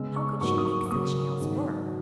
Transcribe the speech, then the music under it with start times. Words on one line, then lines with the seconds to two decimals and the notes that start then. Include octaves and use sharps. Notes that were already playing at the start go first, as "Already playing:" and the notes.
How could she make such nails work?
Already playing: C#3 G#3 B3 E6
0.16 C#6
0.41 G#2 F#3 A#3 C#6
0.58 D#6
0.65 C#6
0.86 C#6
0.90 C#3 F#3 A#3 D#6
1.40 G#2 D#3 F#3